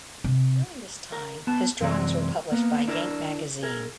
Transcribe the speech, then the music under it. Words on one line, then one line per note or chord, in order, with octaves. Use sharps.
During this time, his drawings were published by "Yank" magazine.
C3
A#4
B3 A5
F#2 C3 E3 G#3 C4 D5
A#3 B3
D4 E4 A#4
G#4 A#4